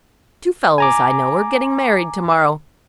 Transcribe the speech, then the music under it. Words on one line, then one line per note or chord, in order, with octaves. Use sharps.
Two fellows I know are getting married to-morrow.
G#5 A#5 D6